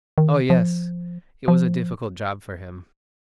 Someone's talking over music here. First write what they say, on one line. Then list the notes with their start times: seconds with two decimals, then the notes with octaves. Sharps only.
Oh, yes, it was a difficult job for him.
0.18 D#3
0.50 F3
1.48 F3